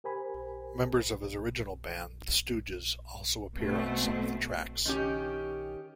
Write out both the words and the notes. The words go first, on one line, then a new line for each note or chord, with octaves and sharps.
Members of his original band The Stooges also appear on some of the tracks.
G4 A#4 C5 G#5 B5
B2 A3 C4
D#3 C#4 G4